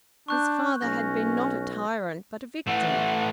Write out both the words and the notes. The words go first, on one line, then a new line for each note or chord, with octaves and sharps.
His father had been not a tyrant, but a victim.
D4 C#6 F#6 G6
B1 C#4 A#6
E3 A3 F#5